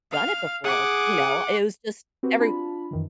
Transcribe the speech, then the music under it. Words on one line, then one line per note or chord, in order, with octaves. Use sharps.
done it before, you know, it was just every
F5 F6
G#4 F#5 D6
C4 F#4 G4 B4
D4 F4 A5 B5
F#2 D#3 E3